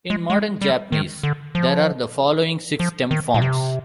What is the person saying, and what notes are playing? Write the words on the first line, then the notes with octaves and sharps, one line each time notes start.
In modern Japanese there are the following six stem forms.
G#3
G#3
G3
D#3
D3
F3
F3
D#3
A#2
C3